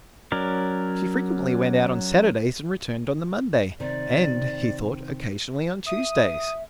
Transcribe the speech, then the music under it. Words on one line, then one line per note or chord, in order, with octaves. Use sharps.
She frequently went out on Saturdays and returned on the Monday and, he thought, occasionally on Tuesdays.
F#3 C#4 A#4 D5
C3 D#3 D5
E5 D#6